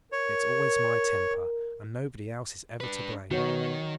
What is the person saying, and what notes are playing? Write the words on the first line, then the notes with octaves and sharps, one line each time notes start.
It's always my temper, and nobody else is ever to blame.
A#4 C#5
D4 B4
B2 D#3 F#4 C#5